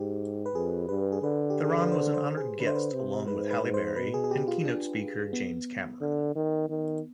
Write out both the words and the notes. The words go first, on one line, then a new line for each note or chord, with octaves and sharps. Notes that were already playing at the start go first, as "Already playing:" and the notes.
Theron was an honoured guest along with Halle Berry and keynote speaker James Cameron.
Already playing: G#2 G4
B4
F2 G#4
G2 B4
G#4
D3 B4
G4
G#4
B4
C5
C5
G#4
D3 B4
C5
B4
C3
G#2 B4
B4
G#2
C5
B2 B4
G#4
G#4
G4
F4
D4
B3
D3
D#3
D#3